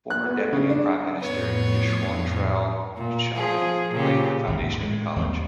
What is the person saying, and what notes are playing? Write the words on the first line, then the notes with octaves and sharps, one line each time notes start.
Former deputy Prime Minister Yeshwantrao Chavan, laid the foundation of the college.
F#6
B3
A3
C#3
D4
F2 A2 B3 C#5 C7
A#2
F3 G#4
A#2 C#3 G4
G#1 D#2 C3
A2 G#3
D#2 G3 G#3 C4